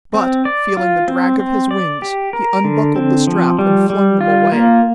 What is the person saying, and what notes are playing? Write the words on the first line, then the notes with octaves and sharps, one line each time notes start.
But, feeling the drag of his wings, he unbuckled the strap and flung them away.
C4
D5
F4
C4
C4
D5
G4
A#4
D3
C4
F3
G3
G3
F4
A#3